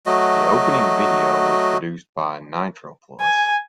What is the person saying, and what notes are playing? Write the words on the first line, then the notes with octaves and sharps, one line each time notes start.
The opening video was produced by Nitroplus.
F#3 A3 F#4 D#5
G#5